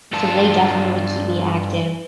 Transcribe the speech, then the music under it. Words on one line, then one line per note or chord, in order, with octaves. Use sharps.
so they definitely keep me active,
G2 F4 A4 A5